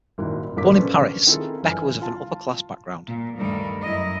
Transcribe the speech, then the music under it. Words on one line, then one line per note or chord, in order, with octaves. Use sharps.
Born in Paris, Becker was of an upper-class background.
G#1 A#2 D#3 G3 E4 F#4
G#1 G2 A#2 A#4 D6 B6
C#4 D4 A4 B4 C5
D#3 C4 E4 F4 G#4 A4
G1 E3 E4 G#5 F6
F4 F5 A5
A#2
D2 G2 D#3 G3 A4 A#4
F#2 E4 A#4 D#5